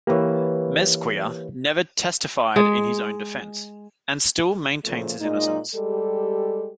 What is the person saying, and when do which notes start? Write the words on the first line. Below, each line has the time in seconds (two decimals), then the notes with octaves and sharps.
Mezquia never testified in his own defense, and still maintains his innocence.
0.07 E3 A#3 G4 B4 C#5
2.56 G#3
4.84 A#2 C#3 F3 A3 A#3
5.20 A#2 G#3 D#4
5.75 G3 G#3 G4 A4